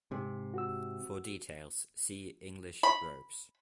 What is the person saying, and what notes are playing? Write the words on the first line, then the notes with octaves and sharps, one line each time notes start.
For details, see English verbs.
G#2 C3
F#4 E6
B5